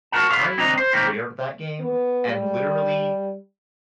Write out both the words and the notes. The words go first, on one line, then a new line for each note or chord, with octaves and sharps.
I pre-ordered that game and literally,
F#4 G4 A#4 F#5 A5
B3 A4 F5
E4
C2 C4 D4 D#5 A#5
C5
A2 D#3 A#3 C4 E4
B3
G3